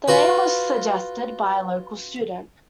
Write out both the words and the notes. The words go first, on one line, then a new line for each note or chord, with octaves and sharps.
The name was suggested by a local student.
F4 F#4 B4